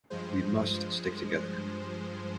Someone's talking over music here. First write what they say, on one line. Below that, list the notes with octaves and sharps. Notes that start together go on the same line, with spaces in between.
We must stick together.
G2 F3 G#3 C5